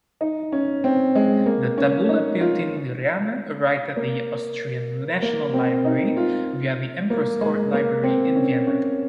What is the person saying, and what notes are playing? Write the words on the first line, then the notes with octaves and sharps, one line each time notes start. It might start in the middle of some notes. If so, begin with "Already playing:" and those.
The "Tabula Peutingeriana" arrived at the Austrian National Library via the Emperor's Court Library in Vienna.
D#4
C#4
C4
G#3
A#3
C#4
D#4
F4
A#3
A#3
C4
D#4
F4
A#3
G#3
A#3
C4
C#4
C#4